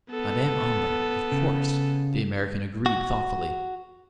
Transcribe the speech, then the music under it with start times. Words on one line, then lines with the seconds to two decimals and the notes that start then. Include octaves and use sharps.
"Madame Omber--of course!" the American agreed thoughtfully.
0.10 B3 A4
1.32 C#3
2.86 F#4